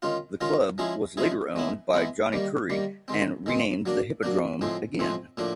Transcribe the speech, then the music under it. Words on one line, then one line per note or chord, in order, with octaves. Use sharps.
The club was later owned by Johnnie Currie and renamed The Hippodrome again.
D#3 G#3 C#4 F4
D#3 G#3 C#4 F4
F3 G#3 C#4 E4 G#4
F3 G#3 C#4 E4 G#4
G#3 B3 E4
G#3 B3 E4
D#3 G3 A#3
D#3 G3 A#3
D#3 G#3 C4
D#3 G#3 C4
F#3 A#3 D4
F#3 A#3 D4
A2 F3 G#3 C4
A2 F3 G#3 C4
A2 F3 A#3 D4